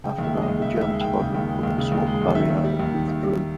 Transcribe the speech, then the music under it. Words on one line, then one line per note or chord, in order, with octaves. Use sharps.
After that the German squadron put up a smoke barrier and withdrew.
C#3 G5
D#2 E5
G#3
D#5
D#2
C#3 E5
D#2 E5
G#3
D#2 G5
C#3 G5
D#2
G#3
D#2
C#3
D#2
G#3
D#2
D#3 E5
D#2
G3
D#2
D#3
D#2
G3